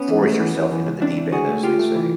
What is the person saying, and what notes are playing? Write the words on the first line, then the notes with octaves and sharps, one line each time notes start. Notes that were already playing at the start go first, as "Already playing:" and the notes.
force yourself into the deep end, as they say.
Already playing: B3 C#4
E3
A3
E3
E3
E3
C#2
E3 C4 D4
E3
C#2 F#4 G#4
A3
C#2 F4 G4
A3
E3